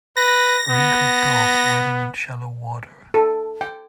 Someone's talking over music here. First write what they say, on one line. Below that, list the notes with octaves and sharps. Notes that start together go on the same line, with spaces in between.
A wrinkled dog wading in shallow water.
B4 A#6
B3
A4
G5